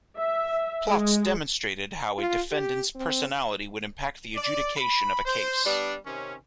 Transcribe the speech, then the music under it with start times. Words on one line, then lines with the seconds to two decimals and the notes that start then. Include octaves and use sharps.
Plots demonstrated how a defendant's personality would impact the adjudication of a case.
0.19 E5
0.87 G#3
2.18 F4
2.51 G4
2.95 C4
4.35 D5
4.74 B5
5.25 C5
5.64 G3 B3 D4
6.03 C3 D#3 C#4